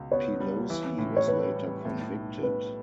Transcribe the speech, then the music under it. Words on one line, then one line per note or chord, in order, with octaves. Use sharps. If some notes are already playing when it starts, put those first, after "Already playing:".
Pelosi was later convicted.
Already playing: C#2 B2
B3 C#5
G3
E3
A2
C#5
A2 B4
G3
A2
B1
B1 B4